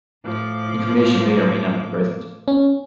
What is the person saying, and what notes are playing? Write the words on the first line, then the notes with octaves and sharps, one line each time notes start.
Inflammation may or may not be present.
A2 F3 D6
C#4